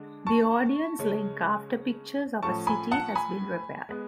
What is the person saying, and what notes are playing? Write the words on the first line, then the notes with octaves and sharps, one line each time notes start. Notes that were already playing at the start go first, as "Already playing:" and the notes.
The audience link after "Pictures of a City" has been repaired.
Already playing: D3 G#3 D4
A5 C#6
C#3 G#3 C#4
A2 F3 A3 C#4 A5 C#6
G#5 B5
F#5 A5
G#5 B5
G#3 B3